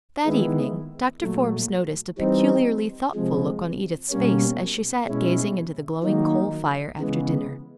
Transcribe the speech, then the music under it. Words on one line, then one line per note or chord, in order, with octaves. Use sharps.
That evening Doctor Forbes noticed a peculiarly thoughtful look on Edith's face as she sat gazing into the glowing coal fire after dinner.
D#3 G#3 B3 E4
A#2 F#3 A3
E3 G3 C4 D#4
C3 F3 G#3
B2 G3 A#3 C#4
B2 G#3 C#4 E4
D#3 F#3 A#3 D#4
C#3 E3 G#3 B3